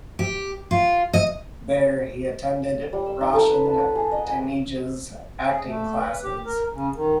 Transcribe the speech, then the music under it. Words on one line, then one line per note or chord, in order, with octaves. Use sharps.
There, he attended Roshan Taneja's acting classes.
G4
F4
D#5
G3
E6
D#4
A4
B4
A5
F#5
G#4
D#5
G#5
G#4
A3
B4
G4
A#4
C#3
D#3